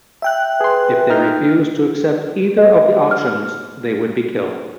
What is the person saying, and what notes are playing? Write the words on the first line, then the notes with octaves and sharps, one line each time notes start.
If they refused to accept either of the options they would be killed.
E5 G5 F#6
G#4 B4 C6
D#4 F6 G6
D#5
F6